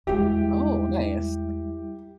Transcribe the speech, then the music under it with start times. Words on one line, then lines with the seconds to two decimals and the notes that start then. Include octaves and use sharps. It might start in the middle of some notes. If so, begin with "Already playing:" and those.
Oh, nice.
0.07 E2 G3 G#3 E4 G4 E5